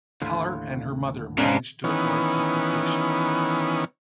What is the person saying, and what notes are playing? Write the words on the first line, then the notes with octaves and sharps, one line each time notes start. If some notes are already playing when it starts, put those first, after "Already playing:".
Heller and her mother managed to avoid deportation.
D#2 A2 D3 E4 F4
E2 G#2 C#3 F3 C#4 D4 B4
D#3 E3 B3 C#4